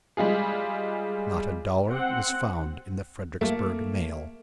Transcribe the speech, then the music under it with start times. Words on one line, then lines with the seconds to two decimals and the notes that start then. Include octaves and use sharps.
Not a dollar was found in the Fredericksburg mail.
0.17 G3 G#3 F4 G#4
1.90 C4 F#5
3.41 A3 A#3